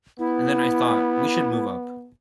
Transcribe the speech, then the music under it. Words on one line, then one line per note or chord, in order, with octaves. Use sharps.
And then I thought, 'We should move up.
B3 E4